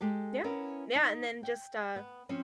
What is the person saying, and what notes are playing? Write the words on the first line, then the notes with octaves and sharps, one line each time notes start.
Yeah. Yeah, and then just, uh,
G#3 G4 A4
B3 C#4 E4 A#4
D#4
G5
B3
F3 C4 C#4